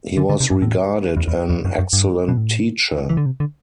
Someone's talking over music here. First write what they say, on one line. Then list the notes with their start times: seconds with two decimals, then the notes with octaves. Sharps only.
He was regarded an excellent teacher.
0.17 D3
0.29 D3
0.40 C3
0.51 G2
0.62 A2
1.17 E2
1.28 E2
1.50 E2
1.65 F#2
1.79 F#2
1.93 G2
2.28 B2
2.37 A2
3.09 E3
3.17 D3
3.26 C3
3.40 D3